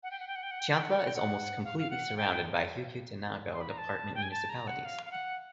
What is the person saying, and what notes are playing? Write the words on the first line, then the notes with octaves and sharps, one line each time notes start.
Chiantla is almost completely surrounded by Huehuetenango Department municipalities.
F#5
G5
F#5
G5
F#5
G5
F#5
G5
F#5
G5
F#5
G5
F#5
G5
F#5
F5
F5
F#5
G5
C6
B5
A#5
A5
G5
G#5
A5
A#5
F#5
F5
F5
F#5